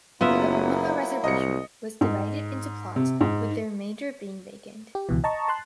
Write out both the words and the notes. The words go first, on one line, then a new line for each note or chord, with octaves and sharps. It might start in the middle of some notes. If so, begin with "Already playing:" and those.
The Omaha Reservation was divided into plots with the remainder being vacant.
F#1 F#3 A#3 B3 E4 F4 E5
C2 D#5 C#7
G#2
C3
G#2
G4
C#2 B2 E3
D#5 A5 A#5 C#6
A5 C6 F#6